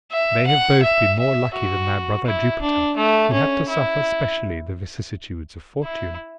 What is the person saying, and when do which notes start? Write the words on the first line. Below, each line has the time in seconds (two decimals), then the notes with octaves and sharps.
They have both been more lucky than their brother Jupiter, who had to suffer specially the vicissitudes of fortune.
0.12 E5
0.47 F#5
0.82 E5
1.19 E5
1.54 F#4
2.26 E4
2.61 D4
2.97 A3
3.32 C#4
3.69 E4
5.83 E4